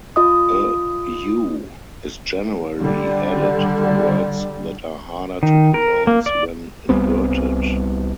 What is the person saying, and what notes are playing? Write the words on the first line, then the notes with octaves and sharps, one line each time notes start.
A "u" is generally added for words that are harder to pronounce when inverted.
F4 D#5 D#6
D3 G3
D#3
A#4
A#3
D5
C2 G3 B3 C4